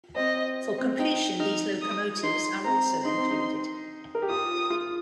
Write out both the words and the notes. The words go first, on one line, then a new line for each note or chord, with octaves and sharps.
For completion these locomotives are also included.
C4 D#5
C4
D#4 G5
D#4 F6
D#6
D#4 C6
C4 A#5
D#4 C6
C4
D#4
A#4
G4
F4 D#6
F4